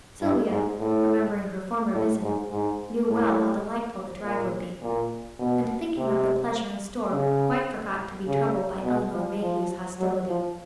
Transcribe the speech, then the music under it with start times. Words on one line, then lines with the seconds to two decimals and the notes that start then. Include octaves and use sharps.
Sylvia, remembering her former visit, knew well how delightful the drive would be, and thinking of the pleasure in store quite forgot to be troubled by Elinor Mayhew's hostility.
0.21 G2
0.50 G#2
0.79 A2
1.94 A2
2.22 G#2
2.52 G#2
3.09 A2
4.24 A#2
4.82 A#2
5.39 B2
5.97 C3
7.12 C#3
8.27 C#3
8.84 B2
9.13 F3
9.41 F3
9.99 F#3
10.28 F3